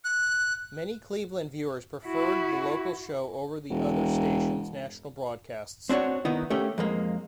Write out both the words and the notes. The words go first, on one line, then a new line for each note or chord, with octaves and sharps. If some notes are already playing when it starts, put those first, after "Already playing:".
Many Cleveland viewers preferred the local show over the other stations' national broadcasts.
F#6
E4 F#4
E1
C4 D4 F#4 C#5
D#3 B3 D#4 E4
A3 A#3 C#4 G4
F2 G#3 A#3